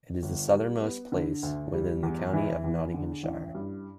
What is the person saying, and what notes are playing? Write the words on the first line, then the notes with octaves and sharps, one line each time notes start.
It is the southernmost place within the county of Nottinghamshire.
G1
G3
B3
D3
D2
G3
E2
E3
E2
D3
A1
G2